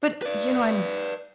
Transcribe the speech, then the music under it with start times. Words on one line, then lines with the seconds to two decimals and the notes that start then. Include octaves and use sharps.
But, you know, I'm
0.22 B4 D5